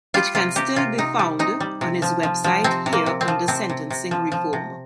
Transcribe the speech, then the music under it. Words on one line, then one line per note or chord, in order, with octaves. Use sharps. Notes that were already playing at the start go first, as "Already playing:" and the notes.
It can still be found on his website here under sentencing reform.
G3 F4
C3 F4
C3 G4
C3 F4
C3 D#4
G3
C3 D#4
G3
C3
F3
F3
F3
C3 C4
C3
A#3
C3
C4
F3
C3 C4
C3
C3
F3
F3
C3